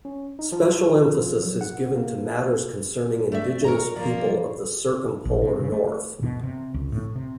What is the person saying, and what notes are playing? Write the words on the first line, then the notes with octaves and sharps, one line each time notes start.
Special emphasis is given to matters concerning Indigenous people of the Circumpolar North.
C#4
D#4
F3
F#3
F#5
A#3
A3 D5 E5
A#4 C#5 A#5
F3 A#3 D5
A#1
C3
C#3
A3
B2
C3
C#2
A2
C3